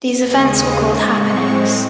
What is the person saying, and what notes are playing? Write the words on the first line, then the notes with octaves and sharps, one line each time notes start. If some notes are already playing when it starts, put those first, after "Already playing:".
These events were called "happenings."...
D#2 C#3 G#3 D#6
A2 G#3 C4 C#6